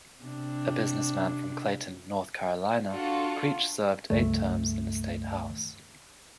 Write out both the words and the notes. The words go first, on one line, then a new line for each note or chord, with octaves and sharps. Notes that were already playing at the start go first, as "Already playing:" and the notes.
A businessman from Clayton, North Carolina, Creech served eight terms in the state House.
C3 D4
D4 F4 F#4 A4
C#2 G2 A3